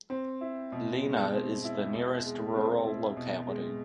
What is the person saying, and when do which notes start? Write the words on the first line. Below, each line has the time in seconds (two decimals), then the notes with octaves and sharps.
Lena is the nearest rural locality.
0.10 C4
0.41 E4
0.72 B2
1.02 G#3
1.33 C4
1.64 E4
1.95 B2
2.26 G#3
2.55 C4
2.86 E4
3.17 B2
3.48 G#3